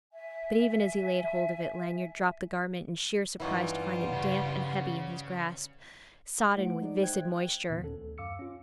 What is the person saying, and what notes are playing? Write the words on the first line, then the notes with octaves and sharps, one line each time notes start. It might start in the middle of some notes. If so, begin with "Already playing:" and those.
But even as he laid hold of it, Lanyard dropped the garment in sheer surprise to find it damp and heavy in his grasp, sodden with viscid moisture.
E5 G#5
G2 E3 G3 C#4 D#4 F4 F#5
C#3
A3 E4 C5 F#5 D7
G#3 D#4 G#4 D5
C5 E5 G5 F#6 G#6
D#2 A#2 D#3 B3
C#4 A4
D2
F#2 F5 D6 E6 C#7
C#4 F4